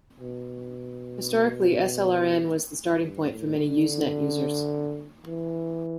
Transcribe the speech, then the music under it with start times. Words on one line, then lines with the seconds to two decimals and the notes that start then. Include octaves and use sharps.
Historically slrn was the starting point for many Usenet users.
0.20 B2
3.01 G2
3.30 A2
3.57 D3
5.26 E3